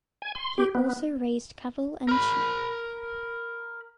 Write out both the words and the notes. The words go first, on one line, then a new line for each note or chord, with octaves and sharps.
He also raised cattle and sheep.
G#5
C6
G4
B3
A#4 B5